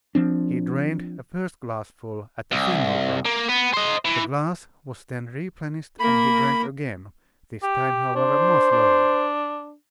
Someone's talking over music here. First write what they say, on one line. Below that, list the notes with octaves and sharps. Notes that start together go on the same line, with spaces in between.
He drained a first glassful at a single draft; the glass was then replenished and he drank again, this time, however, more slowly.
F3 C4 D4
C2
A#3
B3
C5 D#5
E3
A#3 A#4 B5
G4
D4 C5
D4